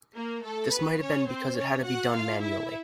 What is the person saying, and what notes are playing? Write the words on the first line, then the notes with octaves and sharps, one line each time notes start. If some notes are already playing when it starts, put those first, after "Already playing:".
This might have been because it had to be done manually.
A#3 A#4
A3 A4
B3 B4
C#4 C#5
C4 C5
C#4 C#5
F#4 F#5
F4 F5
E4 E5